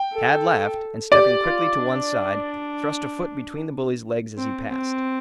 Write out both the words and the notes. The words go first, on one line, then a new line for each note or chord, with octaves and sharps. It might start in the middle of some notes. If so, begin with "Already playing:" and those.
Tad laughed, and stepping quickly to one side, thrust a foot between the bully's legs as he passed.
Already playing: G5
A4
G4 D5
F4
D4
C4
C4